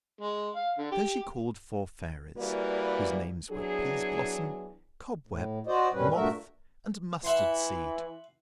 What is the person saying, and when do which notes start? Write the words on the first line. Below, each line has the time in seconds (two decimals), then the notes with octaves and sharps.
So she called four fairies, whose names were Peaseblossom, Cobweb, Moth, and Mustardseed.
0.21 G#3
0.55 F5
0.78 D3
0.91 G4
2.37 E3 G3 A#3 F#4 B4 D5
3.51 E2 F#3 D4 G#4
5.27 A2
5.67 F#4 C5 D5 D#5
5.92 F#2 A#2 G3 C#4 B4
6.14 G2 A#2 A3 F#4 A#4 E5
7.24 E3 E5 F#5 C6